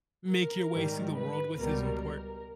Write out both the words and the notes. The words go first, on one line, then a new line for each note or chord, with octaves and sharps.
make your way through the world with is important.
A#4
G#2 D#3 G3
B4
C#2 B2 G3 A#4